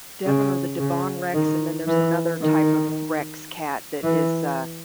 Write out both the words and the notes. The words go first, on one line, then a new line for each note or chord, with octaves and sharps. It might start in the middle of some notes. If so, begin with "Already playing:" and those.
Devon or the Devon Rex, and then there's another type of Rex cat that is, uh,
C#3
C#3
D#3
E3
D#3
E3